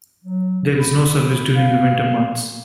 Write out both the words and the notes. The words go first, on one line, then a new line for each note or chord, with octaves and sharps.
There is no service during the winter months.
F#3
B5
F5